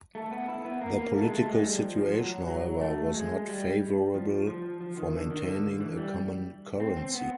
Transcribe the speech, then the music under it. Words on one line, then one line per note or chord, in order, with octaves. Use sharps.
The political situation, however, was not favorable for maintaining a common currency.
A3
B3
E4
B3
A#3
A3
G#3
A3
G#3
G3
F3
F3
F#3
F#3
A3
G#3
G3
F3
F3
F3
D#3
D3
D#3
D3
E3
G3
C4
C4
B3